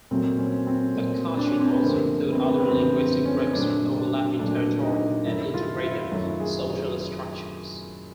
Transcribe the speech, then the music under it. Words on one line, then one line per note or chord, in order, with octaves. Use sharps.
The Kachin also include other linguistic groups with overlapping territories and integrated social structures.
A#2 F#3 A3 C4
C#4
C4
A#2 F#3 A3
D4
C#4
C4
B3
F#2 D3 F3 A3 A#3
B3
C4
B3
C4
B3
F#2 D3 F3 A3 C4
C4
C#4
A#2 F#3 A3 D4
D4
A#2 F#3 A3 D4
D#4
F#2 D#3 F#3 A3 E4
F4
E4
F4
F#2 D#3 F#3 A3 F#4
G#4